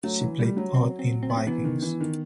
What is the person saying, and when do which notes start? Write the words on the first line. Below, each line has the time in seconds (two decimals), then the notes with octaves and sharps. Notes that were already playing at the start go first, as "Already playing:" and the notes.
She played Aud in "Vikings".
0.03 F#3 A3
0.21 E3
0.39 G3 A3
0.57 F#3
0.74 C4
0.99 C4
1.23 C4
1.30 B3
1.37 C4
1.47 E3 B3
1.64 D#3
1.82 E3
2.00 D#3